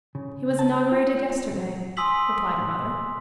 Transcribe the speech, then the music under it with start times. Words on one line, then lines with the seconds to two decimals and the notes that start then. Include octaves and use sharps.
"He was inaugurated yesterday," replied her mother.
0.15 C#3
0.59 A5
0.92 F4
1.97 G#5 C6 D#6 E6 B6 F#7